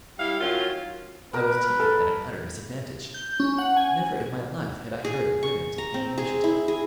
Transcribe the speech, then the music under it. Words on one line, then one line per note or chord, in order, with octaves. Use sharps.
I was taken at an utter disadvantage. Never in my life had I heard of women taking the initiative.
G3 E4 F5
D#3 F#3 C#4 F4
A#4 B4
A4
G6
C#4
F#5
G#5
G#4
C#6
A#5
C4
G#4
E4
G#4